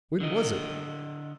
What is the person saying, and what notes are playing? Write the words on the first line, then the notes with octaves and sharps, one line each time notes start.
When was it!
D3 D#5